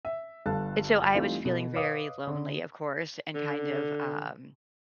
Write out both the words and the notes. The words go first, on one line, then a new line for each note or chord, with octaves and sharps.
And so I was feeling very lonely, of course, and kind of, um,
E5
G1 G2 A4 F5 A5 F#6
E3 G3 A3 C4 D#4 F4
B2 A4
B4 C#5 D#5 F5 D6 D#6
D3
D3